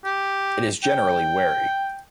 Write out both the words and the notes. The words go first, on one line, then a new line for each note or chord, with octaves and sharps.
It is generally wary.
G4
G5